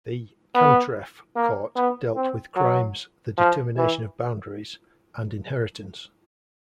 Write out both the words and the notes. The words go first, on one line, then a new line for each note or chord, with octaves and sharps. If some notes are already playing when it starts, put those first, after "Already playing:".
The "cantref" court dealt with crimes, the determination of boundaries, and inheritance.
B3
A#3
B3
C4
F#3
F3
E3